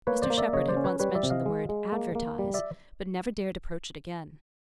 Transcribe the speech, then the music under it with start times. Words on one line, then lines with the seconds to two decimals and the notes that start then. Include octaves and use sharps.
Mr Shepherd had once mentioned the word "advertise," but never dared approach it again.
0.07 A#3 B4 C#5
0.22 C5 D5
0.30 A#3
0.38 D5 E5
0.53 C#3 C#5 D#5
0.68 C5 D5
0.77 C#4
0.84 B4 C#5
0.99 G3 B4 C#5
1.15 D5 E5
1.23 C3
1.30 D#5 F5
1.46 G#3
1.69 G#3
1.92 A#3
2.15 A#3
2.39 G3
2.54 D5 E5